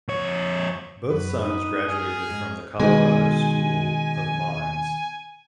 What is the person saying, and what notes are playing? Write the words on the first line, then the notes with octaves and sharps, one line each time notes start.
Both sons graduated from the Colorado School of Mines.
F2 C#5
F#2 B4
D#4 D#6
G#4 F6
G#2 D#5
B2 D#3 G#3 G#5